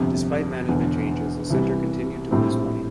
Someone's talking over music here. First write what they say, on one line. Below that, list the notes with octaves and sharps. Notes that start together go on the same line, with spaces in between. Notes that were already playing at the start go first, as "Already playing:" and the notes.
Despite management changes, the center continued to lose money.
Already playing: G1 F2 C3
E1 E2 D3
C2 C3 E3 G3
A#1 A2 G3 C4